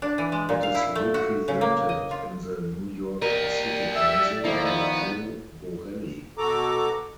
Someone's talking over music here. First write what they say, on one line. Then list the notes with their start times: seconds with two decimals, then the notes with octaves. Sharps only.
It is represented in the New York City Council by Joe Borelli.
0.02 D4
0.18 E3
0.32 G#3
0.49 A#2
0.63 F5
0.75 E4
0.95 A3
1.14 F#4
1.48 C#3
1.61 A#3
1.89 D#5
2.11 F4
3.22 G4 A#4 D5 D#5
3.95 E5 E6
4.45 D#3 F3 A#3 E4
4.65 B3
6.38 B2 F#4 A4 A#5 D6